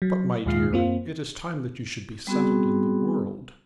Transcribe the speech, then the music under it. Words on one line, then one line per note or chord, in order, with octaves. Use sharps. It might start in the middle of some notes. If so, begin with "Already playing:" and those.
'But, my dear, it is time that you should be settled in the world.'
F#3
D#2 A#2 G#3 F4 F6 C7
F#2 A#3 C4 F4
G3 B3 C4 F#4 G#4